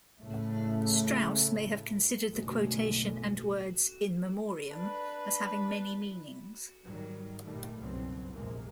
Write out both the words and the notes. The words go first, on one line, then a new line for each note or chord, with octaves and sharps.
Strauss may have considered the quotation and words "in memoriam" as having many meanings.
A2 C#3 A3
F#1 B1 A2 D3 G#3
D4 B4
G#2 D#3 F#3 G3
G1 A#2 D#3 G3 A3
F#1 C2 G2 B2 F#3 C4
A#1 E2 C3 G#3 A#3